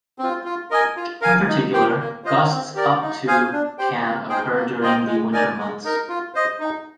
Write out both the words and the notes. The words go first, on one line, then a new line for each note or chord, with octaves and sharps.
In particular, gusts up to can occur during the winter months.
C4 F4
F4
A#4 D#5 G#5
F4
A#4 F5 G#5
D#4
G4 C5 G5
A#3
F4 C5 D#5
C4
G4 A#4 D5
D#4
G#4 C5 F5 G#5
D4
G4 C5 G5
A#3
D#4 G#4 C5 G5
A#3
F4 C5 D#5 G5
G#3
D#4 A#4 D5 G#5
G#3
D#4 A#4
F4
C5 D#5
D#4